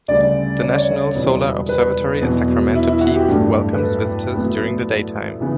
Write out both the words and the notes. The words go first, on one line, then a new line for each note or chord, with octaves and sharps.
The National Solar Observatory at Sacramento Peak welcomes visitors during the daytime.
D2 C#3 G3 D5
C#5
D5
C#5
E1 E2 B2 G3 B3
B4
E1 E2 B2 F#3
E4
E4
F#4
G4
A1 G2 F#3 A3
B4
A4
A1 A2 F#3 B3
C#3 E3 B3